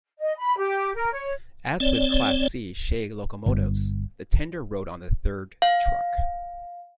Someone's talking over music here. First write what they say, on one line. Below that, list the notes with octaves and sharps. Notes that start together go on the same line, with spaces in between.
As with Class C Shay locomotives, the tender rode on the third truck.
D#5
B5
G4
A#4
C#5
C4 C#5 D5
G1
F5